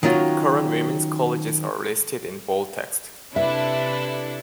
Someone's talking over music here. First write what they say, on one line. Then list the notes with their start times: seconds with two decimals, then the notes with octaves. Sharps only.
Current women's colleges are listed in bold text.
0.03 D#3 F#3 C#4 F4 F#4
3.36 C3 D4 E4 A4 B4 E5